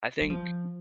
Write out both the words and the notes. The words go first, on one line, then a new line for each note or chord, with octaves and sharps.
I think th
G3
F3